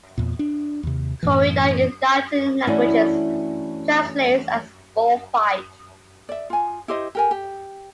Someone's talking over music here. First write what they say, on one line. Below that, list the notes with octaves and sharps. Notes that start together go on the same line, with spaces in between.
Corrida in Latin languages translates as bullfight.
E2 A#2
D4
D#2 C3
F#2 A2 E3
E3 A3 C#4 D4 E4 F#4
D5 E5
F4 G#5
E4 G4 C5 D#5
G4 A#4 G#5
G4